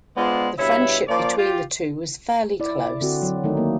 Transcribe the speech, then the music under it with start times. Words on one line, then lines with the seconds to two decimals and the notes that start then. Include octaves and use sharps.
The friendship between the two was fairly close.
0.16 G#3 B3 D4 F4 C5 D5
0.59 G2 B2 E4 C#5 E5 B5
1.08 F3 A#3 C#4 D5
1.37 F4 G4
2.60 E4 D5
3.01 D3 C4 F#4
3.22 F#3
3.44 D#3 A3 D#4
3.57 A#3